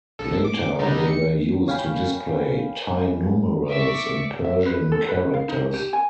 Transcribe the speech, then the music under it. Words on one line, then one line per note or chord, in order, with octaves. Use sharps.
Later they were used to display Thai numerals and Persian characters.
A#1 A4
D6
D3 G3 D#4
C#7
C#5 F5 G5 G#5 B5
D5 E5 C#6 D6
E5
B4
A4
B4
F5
D#4
G4
G#5